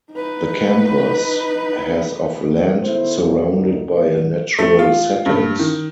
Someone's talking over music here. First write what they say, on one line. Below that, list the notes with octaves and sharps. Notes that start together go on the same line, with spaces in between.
The campus has of land surrounded by a natural settings.
D#4 B4
D#3 B3 E4 A4 C5
B2 E3 F#3 G#3 A#3 C4
D2 D#4
A3
F4
G2
D#3